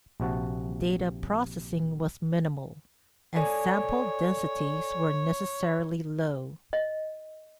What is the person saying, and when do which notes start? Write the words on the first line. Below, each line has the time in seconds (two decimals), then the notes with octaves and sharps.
Data processing was minimal and sample densities were necessarily low.
0.20 A#1 C3 F#4 F#5 A5
3.36 A4 C#5 D5 G#5
6.73 D#5